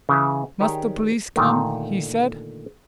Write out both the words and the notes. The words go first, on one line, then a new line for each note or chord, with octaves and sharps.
"Must the police come?" he said.
C#3 E3 E5
D#3 G4 G#4 C#5 D5
A#2 D3 D#3 A3